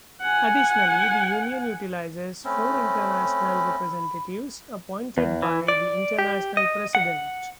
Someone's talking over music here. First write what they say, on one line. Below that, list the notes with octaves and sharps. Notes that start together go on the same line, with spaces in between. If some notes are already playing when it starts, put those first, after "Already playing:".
Additionally, the union utilizes four International Representatives, appointed by the International President.
F#5 G#5
A3 C4 C#4 B5
E2
E3
D5
G4
D#5
F#5